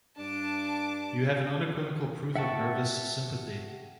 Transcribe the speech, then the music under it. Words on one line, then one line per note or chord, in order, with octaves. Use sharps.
You have an unequivocal proof of nervous sympathy.
G2 D4 A5 D6
E5 F#5 G5 A5 C#6